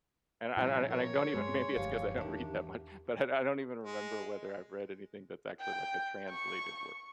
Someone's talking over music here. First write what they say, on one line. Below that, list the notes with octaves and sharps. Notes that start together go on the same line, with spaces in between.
And I and I and I don't even maybe it's 'cause I don't read that much, but I I don't even remember whether I've read anything that's actually, like, a translated work.
A#2 F3 G3 C4 C#4 E4
A#4 C#5
G2 F#3 G#3 C6
F1 D2 G2 F3 G4 F5
E2 D#3 D4
G#3
G5
C#6